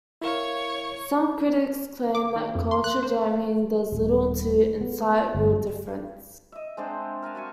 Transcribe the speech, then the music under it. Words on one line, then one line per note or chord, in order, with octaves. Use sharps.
Some critics claim that culture jamming does little to incite real difference.
E4 A#4 C#5 F5 C#6
D6
D#3
F2
C6
F#6
C5
D#1
B3
G1
D#5 E5
G#3 C4 D4 C5
A#4 F5 G#5 A5
F#4 E5 G#5 C#6